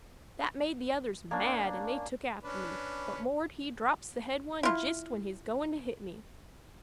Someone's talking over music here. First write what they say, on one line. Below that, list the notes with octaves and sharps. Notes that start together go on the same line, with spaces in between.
That made the others mad an' they took after me, but 'Mord' he drops the head one jist when he's goin' to hit me.
A#3 C#4 D4
C#4 D4 B4
E4 F4